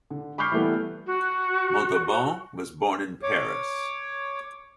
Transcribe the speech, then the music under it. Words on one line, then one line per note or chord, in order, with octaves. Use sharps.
Montauban was born in Paris.
D3
B5 C#6 D6 F6 G6 C7
E3 G3 A3 B3
F#4
C#5 D6